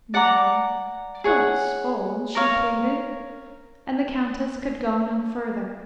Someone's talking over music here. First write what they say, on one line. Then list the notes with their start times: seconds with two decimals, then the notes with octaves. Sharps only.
"Now, don't scold," she pleaded, and the countess could go no further.
0.14 D5 F#5 A#5 D6
1.24 G#4 C#5 F#5
2.35 A#4 C#5 F5